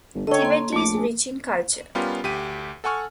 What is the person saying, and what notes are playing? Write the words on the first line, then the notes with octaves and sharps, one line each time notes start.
Tibet is rich in culture.
G1
D3 A4 C#5 D#5 G5
A#3 C6
A#1 A3 F4 D6
G#4
G3 B3 C#4 F4 G4 A#4
D2 G4 B6 D#7
A4 F#5 G#5 C#6 F6